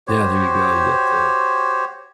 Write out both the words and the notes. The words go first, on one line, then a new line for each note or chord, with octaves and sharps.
Yeah, there you go. You got the,
F#4 G4 C5 C#5